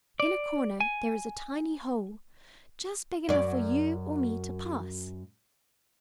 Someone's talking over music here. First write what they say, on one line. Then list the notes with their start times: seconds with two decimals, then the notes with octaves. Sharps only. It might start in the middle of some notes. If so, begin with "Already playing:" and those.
In a corner there is a tiny hole, just big enough for you or me to pass.
0.20 D5
0.80 G#5
3.29 F#2 D5